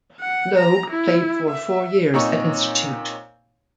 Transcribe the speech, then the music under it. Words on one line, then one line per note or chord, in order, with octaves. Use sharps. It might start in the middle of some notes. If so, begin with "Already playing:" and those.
Logue played for four years at Institute.
F#5
A#5
E4
E5
A#2 C4 D#4 C#5 A#5 C#6